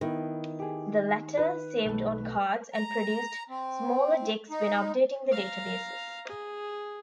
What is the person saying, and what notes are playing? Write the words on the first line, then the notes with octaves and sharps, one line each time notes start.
The latter saved on cards and produced smaller decks when updating the databases.
D#3 B3 E4
G4 G#4
B4
B1 A3
A#5
C4
D#4
F5 A#5
G#4